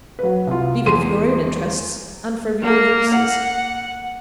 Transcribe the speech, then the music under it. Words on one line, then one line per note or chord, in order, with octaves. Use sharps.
Leave it for your own interests and for everybody else's.
F#3 B4
C2 F4
E2 C6 D#7
A#3
F#5